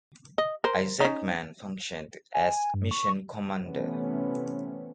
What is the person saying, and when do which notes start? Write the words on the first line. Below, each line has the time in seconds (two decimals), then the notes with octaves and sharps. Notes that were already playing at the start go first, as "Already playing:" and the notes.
Isaacman functioned as mission commander.
0.38 D#5
0.64 A#4 C5
1.00 C#4 D#4
2.34 G#5
2.56 G#5
2.74 G2
2.91 C#6
3.61 C3 E3 A3 B3 C#4